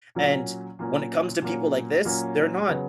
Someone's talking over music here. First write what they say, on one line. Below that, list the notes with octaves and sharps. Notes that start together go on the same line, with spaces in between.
and when it comes to people like this, they're not
A#2 F#3 A#3 C#4
A#2 F#3 A#3 C#4
A#2 F#3 A#3 C#4
A#2 F#3 A#3 C#4
C#3 F#3 B3